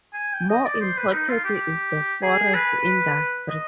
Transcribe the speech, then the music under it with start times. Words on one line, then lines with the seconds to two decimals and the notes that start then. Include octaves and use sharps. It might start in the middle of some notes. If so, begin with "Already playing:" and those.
More important is the forest industry.
0.14 G#5
0.34 G5
0.50 D#5
0.65 D5
0.81 C5
0.97 B4
1.13 D#4
1.28 F4
1.44 G4
2.23 G#4
2.54 B4
3.49 D#5